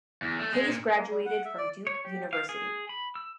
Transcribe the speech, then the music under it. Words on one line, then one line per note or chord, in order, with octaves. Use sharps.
Hayes graduated from Duke University.
E2
A3
G#3
A#2
A#3
G3
F#5
E5
D5
C#5
G4
F5
G#4
B5
E6